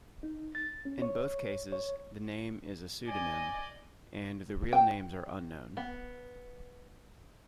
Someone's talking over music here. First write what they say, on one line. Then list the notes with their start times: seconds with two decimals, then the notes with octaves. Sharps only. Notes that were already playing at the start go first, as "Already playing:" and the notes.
In both cases the name is a pseudonym, and the real names are unknown.
0.23 D#4
0.55 A6
0.85 C#4
1.02 C#5
1.72 C#5
3.08 D5 D#5 G#5
4.73 G5
5.77 B3